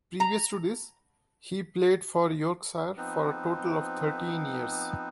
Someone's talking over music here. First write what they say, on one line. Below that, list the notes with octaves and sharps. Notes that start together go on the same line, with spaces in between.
Previous to this he played for Yorkshire for a total of thirteen years.
A#5
F3 B3 C4 D#4 B4